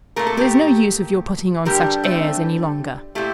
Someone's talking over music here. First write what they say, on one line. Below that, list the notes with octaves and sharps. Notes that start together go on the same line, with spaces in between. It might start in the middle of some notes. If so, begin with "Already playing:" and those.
There's no use of your putting on such airs any longer.
A#2 A3 A#4
A4
G4 A#4
D3 G3 G4 A#4
A3 C4
A#2 A3 E4 G4